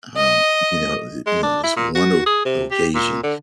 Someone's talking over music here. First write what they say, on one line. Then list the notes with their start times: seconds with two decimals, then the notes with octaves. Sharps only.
um, you know, eh, you know, this one o occasion,
0.16 D#5
1.26 G#3
1.43 D4
1.64 E4
1.77 A#2
1.95 F#4
2.26 G#4
2.45 C3
2.71 G4
2.95 A#2
3.23 D3